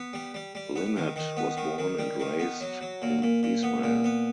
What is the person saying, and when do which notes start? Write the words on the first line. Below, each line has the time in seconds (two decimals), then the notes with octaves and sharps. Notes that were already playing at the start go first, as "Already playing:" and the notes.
Linet was born and raised in Israel.
Already playing: B3
0.13 G3
0.34 G3
0.55 G3
0.76 B3
0.96 D#3
1.16 D#3
1.37 B3
1.57 D#3
1.78 D#3
1.99 G3
2.20 D#3
2.40 B3
2.61 F#3
2.81 F#3
3.02 A#2
3.22 A#2
3.43 A#2
3.63 B3
3.83 A#2
4.04 B3